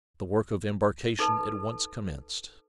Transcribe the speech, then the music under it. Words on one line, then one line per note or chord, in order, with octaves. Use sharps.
The work of embarkation at once commenced.
D#4 A4 B4 A5